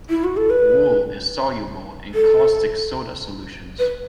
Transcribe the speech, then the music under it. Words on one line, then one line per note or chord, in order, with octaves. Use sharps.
Wool is soluble in caustic soda solutions.
E4
F#4
A4
B4
A4
B4